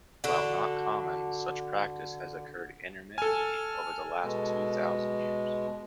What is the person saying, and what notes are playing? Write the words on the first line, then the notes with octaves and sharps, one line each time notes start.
While not common, such practice has occurred intermittently over the last two thousand years.
D3 F#4 A4
A4 G#5 F6
B2 G#3